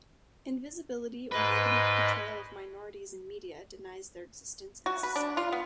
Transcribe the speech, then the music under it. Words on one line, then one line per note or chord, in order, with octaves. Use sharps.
Invisibility or negative portrayal of minorities in media denies their existence in society.
G#2 B4 D#5
F#4
B4
D4
F4
B3